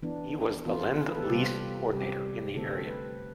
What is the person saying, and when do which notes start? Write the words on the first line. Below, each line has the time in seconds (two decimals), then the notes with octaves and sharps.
He was the Lend Lease coordinator in the area.
0.03 E3 B3 D4
0.66 E3 B3 F4
1.08 B4
1.15 A4
1.22 G4
1.29 C3 G3 C4 F4
1.92 C3 G3 C4 G4
2.56 D3 A3 C4 A4
2.87 B4